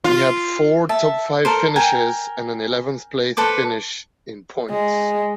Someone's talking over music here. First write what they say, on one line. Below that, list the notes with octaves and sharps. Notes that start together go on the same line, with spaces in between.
He had four top five finishes and an eleventh-place finish in points.
F4
E5 A5
A4 A#4 C5
A#4 G5 G#5
A4 B4 C5 D6
G#3